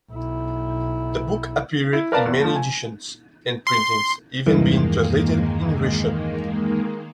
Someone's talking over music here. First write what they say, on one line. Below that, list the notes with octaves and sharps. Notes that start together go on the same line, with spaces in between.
The book appeared in many editions and printings, even being translated in Russian.
B1 E4
E4
A#4 B4 D5 F5 A5
E2
F3 A3
G#5
C6
E2 G2 D#3 E3 G#3 A#3